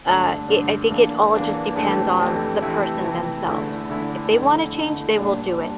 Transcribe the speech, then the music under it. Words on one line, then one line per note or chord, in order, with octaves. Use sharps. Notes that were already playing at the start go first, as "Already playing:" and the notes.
uh, it I think it all just depends on the person, themselves. If they wanna change, they will do it.
G2 D3 A3 D4
G2 D3 A3 D4
E2 E3 A#3 D4
E2 E3 A#3 D4
F2 C3 E3 A3 D4
F2 C3 E3 A3 D4
C3 E3 A3 E4
C3 E3 A3 E4
E2 D3 A3 E4
E2 D3 A3 E4
F2 D3 A3 E4
F2 D3 A3 E4
A#2 G3 D4
A#2 G3 D4